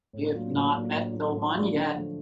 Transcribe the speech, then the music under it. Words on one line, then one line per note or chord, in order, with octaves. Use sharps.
You’ve not met the one yet.
A2
F#3 A#3 D4 F4
A2
F#3 A#3 D4 F4
A2
F#3 A#3 D4 F4
A2
F#3 A#3 D4 F4
D3
F3 A3